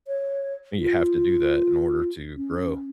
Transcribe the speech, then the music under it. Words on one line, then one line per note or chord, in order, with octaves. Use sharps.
and you have to do that in order to grow.
C#5
F4
C#4